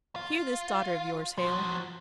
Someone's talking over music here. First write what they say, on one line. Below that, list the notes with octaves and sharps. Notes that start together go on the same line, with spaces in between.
'Hear this daughter of yours, Hale.
F4
F3 F#3